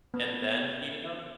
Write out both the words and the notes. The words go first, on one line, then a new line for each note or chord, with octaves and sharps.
and then heat it up
B3